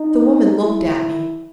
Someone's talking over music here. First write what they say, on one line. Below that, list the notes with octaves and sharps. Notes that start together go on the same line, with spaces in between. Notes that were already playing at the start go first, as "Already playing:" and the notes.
The woman looked at me.
Already playing: D#4
E4